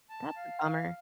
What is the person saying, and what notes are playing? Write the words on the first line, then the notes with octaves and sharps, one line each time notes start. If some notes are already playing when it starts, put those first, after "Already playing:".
That's a bummer.
A5
F5
F5